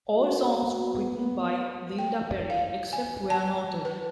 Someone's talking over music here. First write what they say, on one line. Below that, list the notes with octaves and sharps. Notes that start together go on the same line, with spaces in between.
All songs written by Linda Perry, except where noted.
F#4
B3
G5
F5
G#5
A5
B4